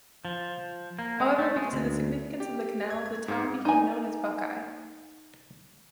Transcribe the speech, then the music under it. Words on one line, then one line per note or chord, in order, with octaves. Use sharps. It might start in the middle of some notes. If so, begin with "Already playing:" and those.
However, because of the significance of the canal, the town became known as Buckeye.
F3
A#3
G#3
A3
G#3
D2
G4
G#6
G#6
G#2
D#4 G#5